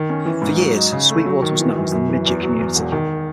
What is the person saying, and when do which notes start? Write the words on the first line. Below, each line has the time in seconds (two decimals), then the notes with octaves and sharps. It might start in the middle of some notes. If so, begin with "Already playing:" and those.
For years, Sweetwater was known as the "midget" community.
Already playing: D#3
0.10 C#4
0.26 E3
0.42 G#2
0.59 F#3
0.75 D#4
0.92 C#3
1.09 A3
1.26 F#3
1.42 D#3
1.59 E3
1.76 F#2
1.92 F#2
2.09 E3
2.26 E2
2.43 F#3
2.59 E2
2.76 E1
2.92 D#3